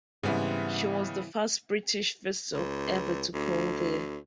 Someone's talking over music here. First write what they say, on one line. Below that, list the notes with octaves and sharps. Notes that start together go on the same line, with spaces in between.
She was the first British vessel ever to call there.
G#2 C#3 E3 G3 B3 C4 G#5
C#2
D2